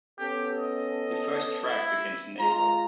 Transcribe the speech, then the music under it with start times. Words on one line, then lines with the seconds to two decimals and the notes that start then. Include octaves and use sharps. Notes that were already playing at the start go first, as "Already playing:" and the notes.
The first track begins in April.
0.19 B3 C#4 G4 A4
0.58 D#5
1.65 E4
2.39 G#3 F4 A#5